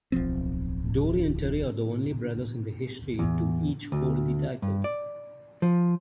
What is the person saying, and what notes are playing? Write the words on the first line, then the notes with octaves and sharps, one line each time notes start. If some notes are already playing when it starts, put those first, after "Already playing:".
Dory and Terry are the only brothers in history to each hold the title.
D1 B1 F3 C4
E2
D2
G2
D5
F3